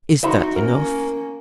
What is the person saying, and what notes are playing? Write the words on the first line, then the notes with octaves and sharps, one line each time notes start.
"Is that enough?"
D#4 F#4 E5 B5 C6
A#3 C#4 A#4